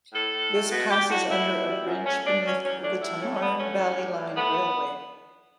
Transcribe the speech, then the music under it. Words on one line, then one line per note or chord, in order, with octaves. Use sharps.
This passes under a bridge beneath the Tamar Valley Line railway.
A2 A4
A2
A3
B2
G3 G4
A2 F#4
B2 E4
B2
G3
F#2
A3 C#4
B2 D4
F#3 C#4
E2 C#4
A3 D4
A2 E4
A3 C#4
C#4
G2 B3
A3 C#4
A2
G3
A2
A3 B3